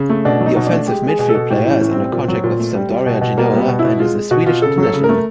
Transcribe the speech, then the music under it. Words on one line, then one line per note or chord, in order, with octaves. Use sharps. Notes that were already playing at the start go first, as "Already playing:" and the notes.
The offensive midfield player is under contract with Sampdoria Genoa and is a Swedish international.
Already playing: C#3
A3
B2 D4
F#3
D#4
B2
D4
A3
G#3 G4
G#3 G#4
B2 G#4
A4
B2
A2 G4
E3 C#4
A2
C4
G3
A#2
F#3
A#2
A3
G3
G3
B2
B2
G3 A#3
G3 B3
B2
B2 E4
G#3 F4
G#3
B2 F#4
B2 F4
C#3 A4
F#3 A4
C#3
A#4
A3